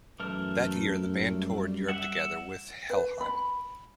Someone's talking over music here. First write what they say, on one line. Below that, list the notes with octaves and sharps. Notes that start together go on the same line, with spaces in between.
That year the band toured Europe together with Helheim.
F#2 E3 A3 A#4 F6
G3
E5 F#5
B4
B5